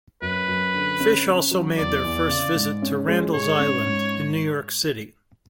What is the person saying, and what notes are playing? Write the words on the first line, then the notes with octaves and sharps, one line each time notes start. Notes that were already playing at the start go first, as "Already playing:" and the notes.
Phish also made their first visit to Randall's Island in New York City.
F#2 B4
F#2
D3
C#4
C#4
F#3
E2 D5
E2
C#3
G#2
C#4
G#3
G#2 C#5
C#4
G#2